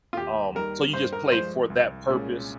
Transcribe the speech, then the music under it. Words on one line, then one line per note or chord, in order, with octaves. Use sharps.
um, so you just play for that purpose,
F4
D#2 G4
D#3 G3 A#4
G2 C5
A#4
F3 G#3 C5
C2
A#2 G#3 C#4 G#4